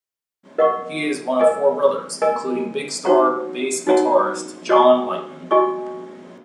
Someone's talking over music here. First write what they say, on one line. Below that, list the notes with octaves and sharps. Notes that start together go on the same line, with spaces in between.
He is one of four brothers, including Big Star bass guitarist John Lightman.
A#4 D#5 F#5 C#6
A#4 D#5 G#5
A#4 D#5 G#5
D#4 F#4 C#5 F#5 A#5
D#4 F#4 C#5 F#5 A#5
F#4 D#5 G#5 C#6
F#4 D#5 G#5 C#6